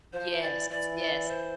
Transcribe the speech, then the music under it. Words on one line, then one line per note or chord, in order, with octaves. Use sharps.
Yes, yes.
F3 C5
E3 D5
E3 D5
D5
C5